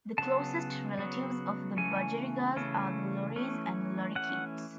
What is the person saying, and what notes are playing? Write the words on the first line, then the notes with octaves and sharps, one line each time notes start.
The closest relatives of the budgerigar are the lories and lorikeets.
C#3 F#3 B3 A5
C#3 F#3 B3
C#3 E3 A3 C#4 G#5
C#3 E3 A3 C#4
E3 A3 C#4
E3 A3 C#4 F#5